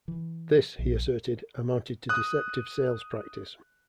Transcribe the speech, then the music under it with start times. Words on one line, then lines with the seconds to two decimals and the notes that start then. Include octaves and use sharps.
This, he asserted, amounted to deceptive sales practice.
0.08 E3
0.79 A#1
2.09 D#6 F#6